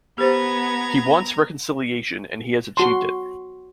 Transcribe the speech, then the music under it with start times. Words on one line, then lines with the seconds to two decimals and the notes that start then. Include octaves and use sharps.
He wants reconciliation and he has achieved it.
0.18 B3 G4 C5 A#5 G#6
2.77 F#4 C6